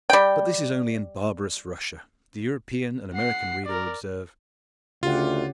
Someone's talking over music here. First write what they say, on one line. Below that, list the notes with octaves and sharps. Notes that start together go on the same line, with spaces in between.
But this is only in barbarous Russia, the European and American reader will observe.
G3 G5
F#5 C7
A#4 D5
D2 C#3 F4 G4 F#5